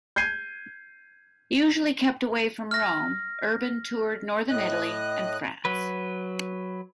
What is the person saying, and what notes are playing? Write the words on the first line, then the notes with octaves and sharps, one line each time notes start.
Usually kept away from Rome, Urban toured northern Italy and France.
G6 G#6 C7 D#7
F6 A#6
A2 D#5 F#6
F#3 B4